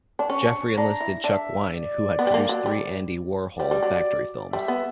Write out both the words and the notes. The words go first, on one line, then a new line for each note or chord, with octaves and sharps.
Jeffery enlisted Chuck Wein, who had produced three Andy Warhol Factory films.
D4
C#4 C#6
D4
D4 A#5
E4
D4 E5
D5
B3
G3
A#3
F#3
G3
G3 D5
G3
F#3
G3 E5
B3